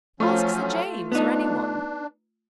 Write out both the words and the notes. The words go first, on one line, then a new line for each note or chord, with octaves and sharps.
Ask Sir James or anyone.
F3 F#3 A3 C#4 F4
B3 D4 D#4